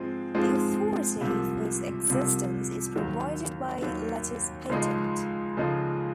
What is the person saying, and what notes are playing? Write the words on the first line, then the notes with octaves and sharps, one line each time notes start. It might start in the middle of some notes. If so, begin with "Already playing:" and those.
The authority for its existence is provided by Letters Patent.
Already playing: G#2 F3 G#3 C4 F4
G#2 F3 G#3 C4 F4
C2 C3 F3
C2 C3 F3
D#2 D#3 F#3
D#2 D#3 F#3
C#2 C#3 F3 G#3 D#4
C#2 C#3 F3 G#3 D#4